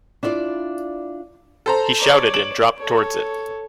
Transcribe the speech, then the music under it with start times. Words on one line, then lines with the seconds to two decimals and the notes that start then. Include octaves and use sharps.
He shouted and dropped towards it.
0.23 D4 E4 F4 D5
1.66 A4 C5 A#5
1.99 C#5 D5
2.34 D7 E7 F#7
2.79 A4 C#5